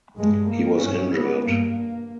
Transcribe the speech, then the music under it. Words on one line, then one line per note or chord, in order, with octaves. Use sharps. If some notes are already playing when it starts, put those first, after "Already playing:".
He was injured.
G2 G#3
A#3
G2 C#4
B3
G2 A#3